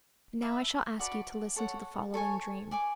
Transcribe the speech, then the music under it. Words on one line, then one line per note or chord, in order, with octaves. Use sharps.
And now I shall ask you to listen to the following dream.
B4 E5 A5
F#4 B4 D5 A5
A4 C#5 F#5
A4 C#5 G#5 C#6
D5 G#5 D6